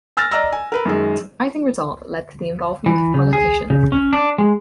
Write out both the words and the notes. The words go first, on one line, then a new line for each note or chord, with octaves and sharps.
The surprising result led to the involvement of politicians.
G#5 E6 F6 A6 A#6
D5 D#5 A#5 E6 F6 A#6
G#5
A#4 B4 A#5
F#2 D#3 G#3
E3
C#3
G#4
C#3
C#4
D4
G#3